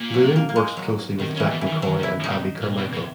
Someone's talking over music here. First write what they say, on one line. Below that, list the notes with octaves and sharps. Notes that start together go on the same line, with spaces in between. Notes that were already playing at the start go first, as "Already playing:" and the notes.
Lewin works closely with Jack McCoy and Abbie Carmichael.
Already playing: A#2
F#3
A#3
A#3
G#3
F#3
B2 D#3
C#3
E3
B2
E3
D#3
D#3 F#3
C#3
E4
D#4
B2
A#2
B2
B2